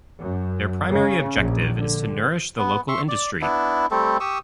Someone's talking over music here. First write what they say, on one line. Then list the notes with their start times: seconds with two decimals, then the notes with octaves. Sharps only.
Their primary objective is to nourish the local industry.
0.19 F#2
0.89 C#3
1.36 A#1
1.75 D3
2.58 B3
2.89 E5 C6 C#6
3.08 D5
3.42 B3 D4 E4
3.91 G3 A3 C4 A4
4.20 G4 C#6 D#6 E6